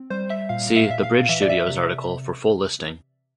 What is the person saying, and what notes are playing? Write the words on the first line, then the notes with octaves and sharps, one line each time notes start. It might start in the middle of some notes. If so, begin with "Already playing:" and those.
See The Bridge Studios article for full listing.
Already playing: C4
G3 C5
E5
A#2 F5
E5
F5
A#2 E5
F5
E3 E5
D5
E5
C3